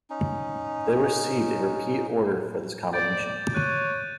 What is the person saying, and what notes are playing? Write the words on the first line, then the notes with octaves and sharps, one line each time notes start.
They received a repeat order for this combination.
C#4 D#4
D5 G6 A6 D7
C#5 F#6 D#7